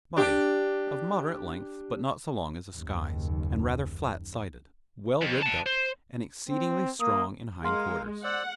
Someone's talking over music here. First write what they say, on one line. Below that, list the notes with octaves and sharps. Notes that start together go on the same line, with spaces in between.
BODY--Of moderate length, but not so long as a Skye's, and rather flat-sided; well ribbed up, and exceedingly strong in hind-quarters.
D4 G4
F#1 D#2
F2
F#5 A5
C5
C4
A#3 D#6
G#3 A#4 F5 F#5 C6
C5 D5 F#5 E6